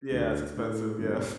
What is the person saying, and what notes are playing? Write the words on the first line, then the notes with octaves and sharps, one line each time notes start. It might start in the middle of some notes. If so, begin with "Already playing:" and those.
Yeah, it's expensive. Yeah.
D2
A2
G1